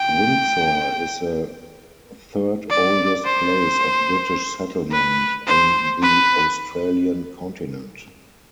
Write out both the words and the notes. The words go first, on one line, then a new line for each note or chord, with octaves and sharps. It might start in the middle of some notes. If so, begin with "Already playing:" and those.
Windsor is the third-oldest place of British settlement on the Australian continent.
Already playing: G5
D5
C5
B4
C5
B4